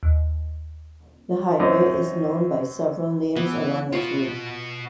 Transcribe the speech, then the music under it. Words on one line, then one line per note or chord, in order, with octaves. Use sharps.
The highway is known by several names along its route.
D#2
F#2 C4 F4 D#5 D6
E3 B3
B3 F4 F#4 E5